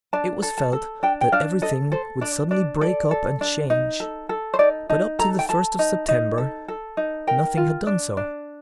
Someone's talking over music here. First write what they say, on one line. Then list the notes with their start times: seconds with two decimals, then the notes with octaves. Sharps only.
It was felt that everything would suddenly break up and change, but up to the first of September nothing had done so.
0.13 D4 A5
0.43 A4
0.58 A5
0.73 A4
1.03 D4 G5
1.21 G5
1.32 D4 F5
1.62 A4 D#5
1.92 A4 C5
2.21 D4 D5
2.51 D4 D5
2.81 A4 D5
3.11 A4
3.41 D4
3.70 D#4
4.00 A4
4.29 A4
4.54 C5
4.59 D#4 D5
4.90 D#4 A5
5.19 A4 A#5
5.39 G5
5.49 A4 A5
5.79 D#4
6.08 D#4
6.38 A4
6.68 A4
6.97 D#4
7.27 A#4 G5
7.57 F4
7.87 D4
8.17 D4